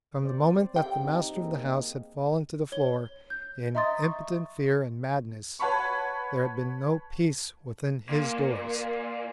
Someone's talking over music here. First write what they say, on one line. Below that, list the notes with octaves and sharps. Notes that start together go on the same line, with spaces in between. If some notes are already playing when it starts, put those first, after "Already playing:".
From the moment that the master of the house had fallen to the floor in impotent fear and madness there had been no peace within his doors.
C4 C5 D5
G4 G5
C4 D#4
A#3 C4 G#4
C#5 G7
G6
D#5 E5 A#5 C6 D#6 A6
C#6
B4 C#5 F#5 A5 B5 C#6
A#2